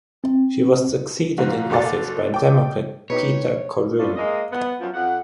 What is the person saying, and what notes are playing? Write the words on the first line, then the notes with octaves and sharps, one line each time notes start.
She was succeeded in office by Democrat Peter Corroon.
C4
G#2 F3 D#4 F4 F#4
F#1 F#4 A4 D6 A6
G5 D6
B2 D#4 G4 B4 C#5
A3 B3 C#4 D4 F4
G#3 A#3 D#5
B3
F#2 F3
F2 F#5